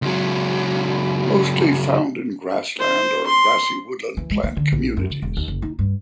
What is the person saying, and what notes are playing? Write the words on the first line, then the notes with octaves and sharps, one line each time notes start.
Mostly found in grassland or grassy woodland plant communities.
C#2 F#3
C5
C6
E3
G#3
B3
D3
A#1
F#2
C#3
E1
D#2
F#1
D#4
G2